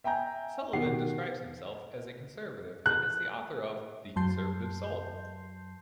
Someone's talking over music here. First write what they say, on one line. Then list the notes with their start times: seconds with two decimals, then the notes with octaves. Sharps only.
Sullivan describes himself as a conservative and is the author of "The Conservative Soul".
0.04 E5 G5 G#5 A#5 G6
0.73 B2 D#3 G4 F#5 C7
2.86 F#6
4.16 F#2 F#3 A5 C6 G6 C7